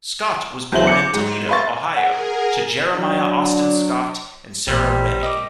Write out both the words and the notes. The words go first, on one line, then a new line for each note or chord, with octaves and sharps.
Scott was born in Toledo, Ohio, to Jeremiah Austin Scott and Sarah Remey.
E2 F#3 E4 C5 F#7
D6 G6 C#7
G#2
B4 E5 F5 C6 C#6 A6
G#4 A#4 F#5
F#3 D4
A1 A#2 G3 C4 A#4
D#5 D6